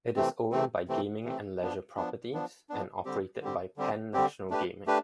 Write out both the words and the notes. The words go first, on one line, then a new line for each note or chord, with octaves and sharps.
It is owned by Gaming and Leisure Properties and operated by Penn National Gaming.
C3 E3 A3 C4
C3 E3 A3 C4
C3 E3 A3 C4
C3 E3 A3 C4
F3 B3 D4
F3 B3 D4
F3 B3 D4
F3 B3 D4
D3 G3 C4 G4
D3 G3 C4 G4
D3 G3 C4 G4
D3 G3 C4 G4
A3 D4 G4 B4
A3 D4 G4 B4